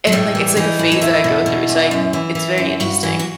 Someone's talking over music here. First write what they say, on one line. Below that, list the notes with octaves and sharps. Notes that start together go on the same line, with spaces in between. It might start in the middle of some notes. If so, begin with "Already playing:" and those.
and, like, it's, like, a phase that I go through, it's, like it's very interesting.
F#3
A2 G3
E3
E3 D#4
A2
D#4
E2 E4
B2
B2
E2
F#2
E3
E3
F#2
G2 F#4
E3
F#4